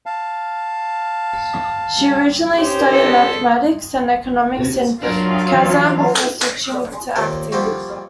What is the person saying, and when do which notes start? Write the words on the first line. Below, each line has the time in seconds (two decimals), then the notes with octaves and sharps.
She originally studied mathematics and economics in Kazan before switching to acting.
0.06 F5 A5
2.57 C#4 G4 C5 C#5
2.92 A4
5.02 F#3 D4 F4 A#4 F5
5.54 E3 C#4 D4
7.16 D#2 A#2 D#3 C4 A#4
7.52 F3 G3 A#3 C4 F#4